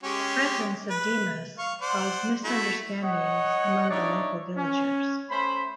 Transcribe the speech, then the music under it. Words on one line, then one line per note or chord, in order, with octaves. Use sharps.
The presence of Dimas caused misunderstandings among the local villagers.
G#3 C#4 G4
B4
F5 C#6
C5 D5 F#5
A3 E4 F#4
C#5 D#5 F#5
D4 D#4 C#5 D5 E5
C#4
A3 C#4 C5 B5